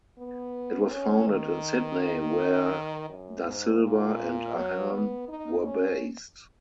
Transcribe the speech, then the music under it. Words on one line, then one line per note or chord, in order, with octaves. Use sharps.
It was founded in Sydney, where da Silva and Ahern were based.
B3
C#4
D#3
F#2
G#2
A#2
F#3
B3
D#4
C#4